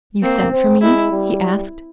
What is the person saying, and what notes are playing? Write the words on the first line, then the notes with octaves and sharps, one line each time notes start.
"You sent for me?" he asked.
A#3 C4
C4
G#3 E4
G3